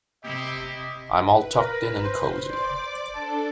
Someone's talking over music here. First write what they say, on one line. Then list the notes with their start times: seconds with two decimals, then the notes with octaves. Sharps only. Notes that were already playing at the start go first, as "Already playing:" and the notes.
I'm all tucked in and cosy.
0.24 C3 E4 G4 D#5
1.23 B4
1.56 A#4
2.03 C5
2.44 D5 D6
3.14 D4 A4 A5